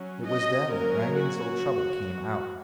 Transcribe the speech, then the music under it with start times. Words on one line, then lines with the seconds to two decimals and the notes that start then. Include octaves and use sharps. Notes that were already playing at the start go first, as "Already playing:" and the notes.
It was then that Rangon's little trouble came out....
Already playing: F#3 C#4
0.27 D#5
0.72 F#3 A#3 C#4 A#4
1.17 F#4